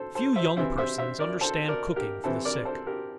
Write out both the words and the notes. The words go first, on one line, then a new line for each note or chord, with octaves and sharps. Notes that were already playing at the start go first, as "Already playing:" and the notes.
Few young persons understand cooking for the sick.
Already playing: A4 C5
A4 C5
C5 E5
C3 E3 C5 E5
C5 E5
C5 E5
A#4 D5
A4 C5
A#4 D5
G4 A#4
C3 E3 A4 C5
A#4 D5
A4 C5
G4 A#4